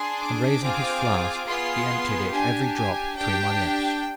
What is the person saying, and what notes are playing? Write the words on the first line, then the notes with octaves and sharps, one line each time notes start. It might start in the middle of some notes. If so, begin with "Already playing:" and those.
And raising his flask he emptied it every drop between my lips.
Already playing: D4 G#4 C6
D6
C4 F4 G#4
B3 F4 G#4 C6
D4 G4 G#5
G#5
D4 G4 G5